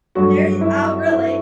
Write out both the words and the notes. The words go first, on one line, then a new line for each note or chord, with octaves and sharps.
There you oh, really?
G2 F#3 A3 F#4
E4
E4